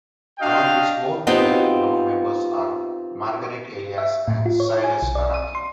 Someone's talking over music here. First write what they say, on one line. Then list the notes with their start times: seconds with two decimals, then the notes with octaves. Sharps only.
Among its more well known members are Margaret Elias and Sirus Naraqi.
0.39 D4 F#4 D#5 F5 G5
1.27 B3 C4 D#4 F4 G4
3.98 E5
4.28 A2
4.46 F4
4.60 C#5
4.84 G#5
5.02 B1
5.15 D5
5.34 D#7
5.55 C6